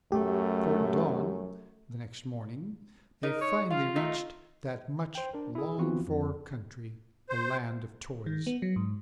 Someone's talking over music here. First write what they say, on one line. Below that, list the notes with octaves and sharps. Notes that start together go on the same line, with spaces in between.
Toward dawn the next morning they finally reached that much-longed-for country, the Land of Toys.
F#2 A3 G4
D#4 A#4
C#5
F4 F5
D#3 A3 D#4
C5 G5
D4 A#4
E4 G#4
E3 F3 B3 C4 F4 F#4
F2
C5
D#3
B3
F#3
G#2